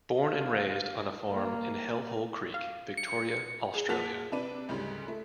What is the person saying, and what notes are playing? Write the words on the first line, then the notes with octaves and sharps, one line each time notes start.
Born and raised on a farm in Hellhole Creek, Victoria, Australia.
F5
A#3
F5
C#7
G#4
A#2 G#4 F#5 A5 B6 F7
C3 D4 B4 D#7
D2 G#2 C#3 G3
A3